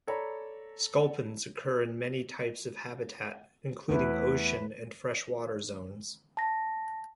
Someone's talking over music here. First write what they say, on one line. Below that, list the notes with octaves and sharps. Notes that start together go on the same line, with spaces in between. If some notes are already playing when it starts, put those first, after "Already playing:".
Sculpins occur in many types of habitat, including ocean and freshwater zones.
A4 C#5 D5 A#5 B5
E2 A3 B3 E4 B4
A5 A#6